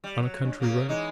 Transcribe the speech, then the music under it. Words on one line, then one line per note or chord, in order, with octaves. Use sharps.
On a country road?
G3
F#3
G2
C#3 A#3
E3 G#3 D#4